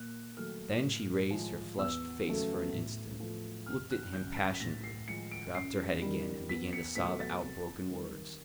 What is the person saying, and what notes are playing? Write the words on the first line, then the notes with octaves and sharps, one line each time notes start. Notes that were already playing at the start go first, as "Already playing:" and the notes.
Then she raised her flushed face for an instant, looked at him passionately, dropped her head again and began to sob out broken words.
Already playing: A#2 F#6
F#3 A3 F6
A2
F3 G#3
E2 E6
C#3 F#3 A3
A2
F3 A3
F2 F6
F#6
C#3 F#3 G6
A6
B6
A2 A#6
C7
F3 G#3 C#7
D7
F#2 C7
D#3 G3
E2 B6
C#7
B2 F#3 A3 B6
A6
C3
D#3 G3